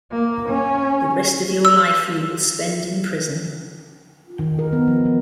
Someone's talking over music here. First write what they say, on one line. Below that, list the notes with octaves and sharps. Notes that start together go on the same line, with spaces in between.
The rest of your life you will spend in prison.
A#3
C#4
E6
D#3
A#4
B3
F3
F3